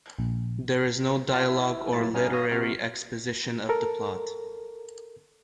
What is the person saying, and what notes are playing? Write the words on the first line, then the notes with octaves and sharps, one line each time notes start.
There is no dialogue or literary exposition of the plot.
A#1
F4 D5 F5 A5 F6
E4 E5
A2 F#3 A#3 E4 A6
G2 B3 C#4 D#4 G#5 F6
C#5 F5 D#6 A#6
C3 F#4 F6
A4 A#4